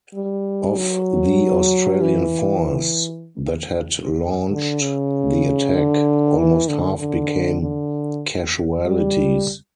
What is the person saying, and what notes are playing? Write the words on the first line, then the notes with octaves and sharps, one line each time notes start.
Of the Australian force that had launched the attack, almost half became casualties.
G3
F#3
E3
D3
C#3
D3
E3
D3
D3
D3
G3